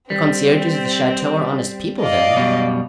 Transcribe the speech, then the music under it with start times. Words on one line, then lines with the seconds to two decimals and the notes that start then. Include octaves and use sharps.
"The concierges of the chateau are honest people, then?"
0.10 G3 C4
1.99 D5 D#5 F5
2.36 F#2 B2 G3